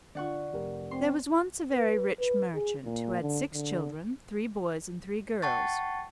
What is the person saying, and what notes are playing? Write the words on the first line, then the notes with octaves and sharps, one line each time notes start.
There was once a very rich merchant, who had six children, three boys and three girls.
D3 F4 D5 F#5 C#6
F1 G4 A#4
C4 C6
B4
B4
G#4
A#2
D3
D3
F#5 G5 A5 C#6 A6